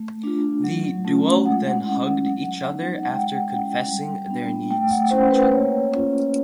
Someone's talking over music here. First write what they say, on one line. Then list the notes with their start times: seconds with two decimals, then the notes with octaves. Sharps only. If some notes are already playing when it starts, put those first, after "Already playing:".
The duo then hugged each other after confessing their needs to each other.
Already playing: A3
0.23 D4 F4
0.64 F#3
1.05 A3 C#4 F4
1.45 G#3 F#5
1.86 C#4 E4
2.27 F#3
2.67 B3 D#4
3.03 F#5
3.08 G#3 G5
3.49 C#4 E4
3.89 G3
4.30 B3 D4
4.71 A3 G5
4.91 F#5
5.11 C#4 E4 C5
5.31 B4
5.52 A#3 C#5
5.92 C#4 F4